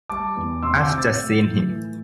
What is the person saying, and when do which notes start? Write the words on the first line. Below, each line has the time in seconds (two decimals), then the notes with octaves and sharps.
I’ve just seen him.
0.09 G3 A5 D6
0.36 E2
0.63 C3 C6 E6
0.80 D6 G6
0.90 C4
0.98 E6 A6
1.16 A3
1.43 A2
1.69 E3